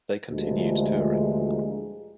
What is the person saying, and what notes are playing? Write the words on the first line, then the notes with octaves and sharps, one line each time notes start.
They continued touring.
D2 A#2 E3 F3 G3 G#3